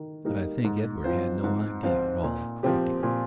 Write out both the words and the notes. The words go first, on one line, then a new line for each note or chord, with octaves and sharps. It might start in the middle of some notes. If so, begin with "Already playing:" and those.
But I think Edward had no idea at all of corrupting her.
Already playing: D#3
G3 A#3 D#4 A#4
G#2
F3 C4 F4 C5
G#2
F3 C4 F4 C5
A#2
F3 C4 G4
A#2